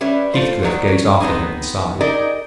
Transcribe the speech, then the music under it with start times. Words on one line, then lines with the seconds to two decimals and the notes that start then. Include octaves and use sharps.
Heathcliff gazed after him, and sighed.
0.01 G3 C#4 B4 E5
0.34 A3 F4 C5
0.63 D#3 F#3 G3
0.88 C#4
1.20 B3 C4 D#4 G#4
2.01 D#4 G4 G#4 A#4 D5 D#5